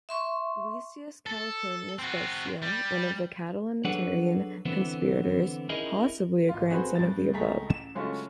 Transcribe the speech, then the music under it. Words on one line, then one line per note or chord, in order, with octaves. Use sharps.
Lucius Calpurnius Bestia, one of the Catilinarian conspirators, possibly a grandson of the above.
E5 C6 C#6
A4
C4 F#4
G3
F#3 D4 G#4 A4 B4 F#5
E2 D3 E3 B3 C4
C#4 D#4 E4 G#4 A#4 D#5
G#1 F4
C4 F#4 G#4 A4 B4 C5
G2 A6
C#2 A3 G#4 A#5 B6
A1 E7
C#3 F#3 G#3 A3 C#4 F4